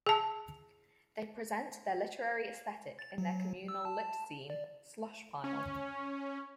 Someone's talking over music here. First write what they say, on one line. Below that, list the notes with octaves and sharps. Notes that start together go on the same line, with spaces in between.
They present their literary aesthetic in their communal lit-zine, "Slush Pile".
G#4 A5
A6
F#3
E6
A5
D5
C#4